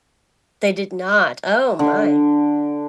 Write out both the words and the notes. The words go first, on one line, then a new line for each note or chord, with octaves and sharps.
They did not. Oh my.
D3